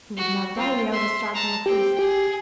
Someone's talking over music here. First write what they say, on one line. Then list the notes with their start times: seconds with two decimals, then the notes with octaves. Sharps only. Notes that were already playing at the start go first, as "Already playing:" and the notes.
He would not die without a struggle at least.
0.17 F#4
0.56 C4 F4
0.92 E5 C6
1.34 A5 A#5
1.66 C4 G4 G5
1.99 G4 G#4